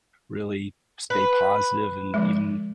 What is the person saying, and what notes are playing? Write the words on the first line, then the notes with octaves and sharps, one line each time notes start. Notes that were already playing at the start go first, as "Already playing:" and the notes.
really stay positive and even,
B4
D3 F3 G#3